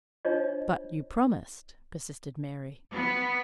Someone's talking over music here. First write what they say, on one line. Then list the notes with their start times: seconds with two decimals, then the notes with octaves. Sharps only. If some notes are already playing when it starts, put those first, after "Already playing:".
"But you promised," persisted Mary.
0.25 D4 D#4 F4 C5 C#5 D#5
2.93 B3